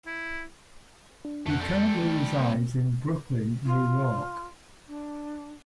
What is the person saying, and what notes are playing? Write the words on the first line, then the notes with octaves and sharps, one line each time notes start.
He currently resides in Brooklyn, New York.
E4
D4
F2 A3 F#5
G3 A4
D#3 A3
A#3 C4
F4
D4